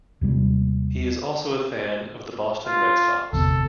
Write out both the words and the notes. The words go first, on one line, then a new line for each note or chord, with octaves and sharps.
He is also a fan of the Boston Red Sox.
D#2 C3 G3
F4
G1 E2 C3 A4